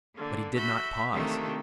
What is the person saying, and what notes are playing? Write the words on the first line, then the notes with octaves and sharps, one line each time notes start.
But he did not pause.
D3 A#3
F#4 E5 B5 G6
C3 D#3 A3 A#3 D4